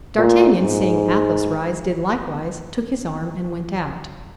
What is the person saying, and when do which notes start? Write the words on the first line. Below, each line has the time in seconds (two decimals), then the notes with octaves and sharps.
D'Artagnan, seeing Athos rise, did likewise, took his arm, and went out.
0.17 A#2
0.61 G#2